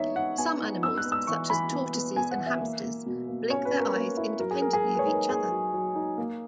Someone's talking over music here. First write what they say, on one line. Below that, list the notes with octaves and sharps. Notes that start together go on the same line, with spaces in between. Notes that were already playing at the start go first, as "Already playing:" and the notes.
Some animals, such as tortoises and hamsters, blink their eyes independently of each other.
Already playing: E3 B3 D#4 C#5 E5
D#4 F#5
B3 G#5
D#4
B3 E6
F#6
B3
E6
E3 C#6
E3 B5
B3
B3
B3 G#5
F#5
E3
E5
A#3
A#3
B2
A#3
C#4 C#5
B4
C#4
A#4
A#3
E4
F#3 A#4
G#4
F#3 A#4
G#4
A#3
B4
C#5
D#4
A#4
A#3 G#4
F#3
F#3
D#4
A#3